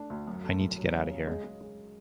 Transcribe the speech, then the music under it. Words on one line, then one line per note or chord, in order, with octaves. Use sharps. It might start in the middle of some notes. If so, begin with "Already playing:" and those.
I need to get out of here!
Already playing: A3 D4
D2
F#2
A3
F#2
F#3
C#3
C#3
G#3
G#3
G#3